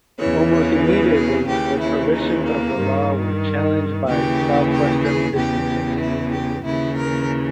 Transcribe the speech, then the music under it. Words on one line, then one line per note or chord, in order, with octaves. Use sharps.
Almost immediately, the provisions of the law were challenged by Southwestern businesses.
E2 C#3 E3 C#5
C#5
B4
G#4
D#2 C#3 E3 G4
E4
D#4
A#3
G2 D#3
D#2 C#3 E3 G4
G4
G#4
E2 C#3 E3 G4
E4
G4
D#2 C#3 E3 E4
A#4